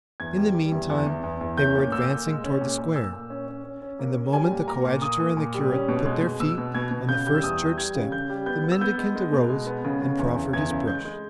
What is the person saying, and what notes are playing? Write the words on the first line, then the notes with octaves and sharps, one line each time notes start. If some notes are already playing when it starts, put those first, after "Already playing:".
In the meantime they were advancing toward the square, and the moment the coadjutor and the curate put their feet on the first church step the mendicant arose and proffered his brush.
E2 G#6
G3
G3
E2
E2
E2
E2
E2
C#4 G6
A#2
A#2 E6
A#2
G#3
C#4
A#2
A#2
A#2 E6
A#2
C#4
C#4
C#4
C#4
A#3
C#4
G3 G#5
A#2
A#2 A#5
A#2
A#3 D#6
A#2
A#2
G3
C#4
B2
G#3
B2
B2 E6
B2
B2 G#6
B2
C#3 G6
G3 G6
E6
E2 D#6
G3
G3 G#6
C#3
C#3 G6
G3
B3 G6
B3
E6
B3 G6
G#3
G#3
B2
G#3
B3
C#3
C#3
E2
C#3
E2 G#6
C#3
G#3 G6
G#3